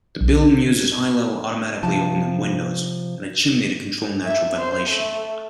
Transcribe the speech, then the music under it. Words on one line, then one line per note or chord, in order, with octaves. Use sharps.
The building uses high-level automatically opening windows and a chimney to control natural ventilation.
B1
C3 F3 A5
E5
C5
A3